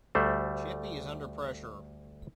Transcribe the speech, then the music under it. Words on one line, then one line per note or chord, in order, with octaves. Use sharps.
Chippy is under pressure.
D2 G3 A3 C5